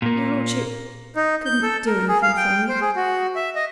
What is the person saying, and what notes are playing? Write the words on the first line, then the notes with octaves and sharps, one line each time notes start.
Your Lordship couldn't do anything for me?
A#2 A#3
D#4
G6
A4
A#4
G#4
F5
G5
C5
G#4
F#4
E5
D#5